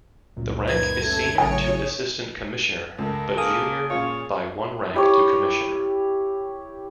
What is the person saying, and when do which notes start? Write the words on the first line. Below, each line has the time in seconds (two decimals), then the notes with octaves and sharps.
The rank is senior to Assistant Commissioner, but junior by one rank to Commissioner.
0.37 C#2 F#2 A#2
0.68 D#3 A#3 B4 G#6
1.02 A3 C#4 A4
1.38 A1 A2 C#3 F#3 C#5 G#5 D#6
2.98 C#2 A4 A#4
3.38 A#3 G#4 D#6
3.90 A#2 C#4 F4 C#5
4.94 E4 G4 C#5